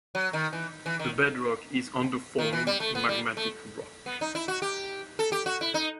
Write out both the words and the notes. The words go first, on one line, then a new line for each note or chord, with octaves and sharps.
The bedrock is undeformed magmatic rock.
F#3
D#3
E3
E3
D#3
D#3
E3
G3
A3
B3
G3
A3
B3
D#4
E4
F#4
G4
A4
G4
F#4
E4
D#4